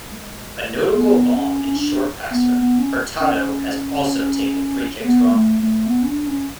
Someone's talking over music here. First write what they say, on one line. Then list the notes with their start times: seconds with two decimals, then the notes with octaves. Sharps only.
A notable long and short passer, Hurtado has also taken free kicks well.
0.12 G#3
0.93 B3
1.35 C#4
1.65 C#4
1.76 D4
2.31 B3
2.58 B3
2.78 C#4
3.20 C#4
5.04 B3
5.31 A3
5.59 A3
5.86 B3
6.02 C#4
6.06 D4
6.27 C#4